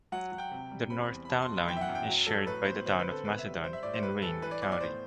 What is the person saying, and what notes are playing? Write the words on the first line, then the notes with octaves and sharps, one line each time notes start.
The north town line is shared by the town of Macedon in Wayne, County.
F#3 F#5
F#3
G5
C3
G3
C4 B5
E2
B5
B2 A5
C6
B2
B5
E3 G5
E5
F#5
F#2
G5
F#3
F#3 A4
A2 B4
B3 C5
D3 C5
B4
C4
A4
B2 B4
E5
G3
G3 C5
E5
A2 D5
C5
G3 B4
E3 A4
E3 B4
D5
B3 D5
D5
A2 C5